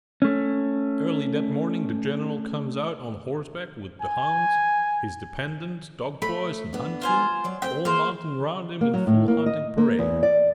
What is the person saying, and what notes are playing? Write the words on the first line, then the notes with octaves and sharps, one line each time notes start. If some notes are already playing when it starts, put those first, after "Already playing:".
Early that morning the general comes out on horseback, with the hounds, his dependents, dog-boys, and huntsmen, all mounted around him in full hunting parade.
A3 C#4
G#5
A3 B5
B3 D4
F4 C5 G#5
F#3 D5
D2 C4 G5
A#3 G#4 A#4 C5
A#3
F#3
A2
A#3
D#5
A#3
E2
D5